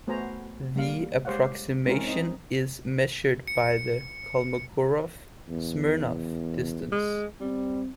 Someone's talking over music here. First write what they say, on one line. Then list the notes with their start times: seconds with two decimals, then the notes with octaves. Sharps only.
The approximation is measured by the Kolmogorov-Smirnov distance.
0.07 A3 B3 F#4 C5 G#5 A#5
0.76 G3 A#3 F5
1.25 G#3 G4 C5 C#5 F5 F#5
1.86 G#3 C4 C#4 E4 A#4
2.07 C4 D#4
3.48 C#7
5.49 E2
6.92 G#3
7.41 G3 C4